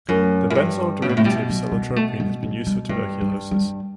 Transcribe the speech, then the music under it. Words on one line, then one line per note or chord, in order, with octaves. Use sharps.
The benzoyl derivative cellotropin has been used for tuberculosis.
F#2 A3
F#2
G2
C#3
B2
A2 A3
B2 G3
F#3
G3
B3
A3
G3
F#3
G3
G2 A3
G3
G3